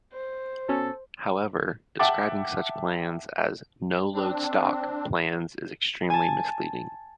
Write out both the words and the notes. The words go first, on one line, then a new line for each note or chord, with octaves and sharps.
However, describing such plans as "no-load stock" plans is extremely misleading.
C5
B2 C#4 A4
E5 F#5 G5 A5 D6 A6
C4 D4
G#5 A5